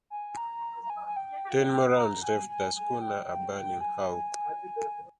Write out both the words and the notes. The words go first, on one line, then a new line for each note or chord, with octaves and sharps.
Ten more rounds left the schooner a burning hulk.
G#5
A#5
A#5
G#5
G#5
G5
A#5
G#5
G#5
G#5
G5
G5
G#5